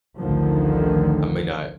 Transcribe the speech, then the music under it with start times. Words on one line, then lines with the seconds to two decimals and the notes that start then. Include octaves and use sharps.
I may not
0.18 A1 D2 D3 D#3 F3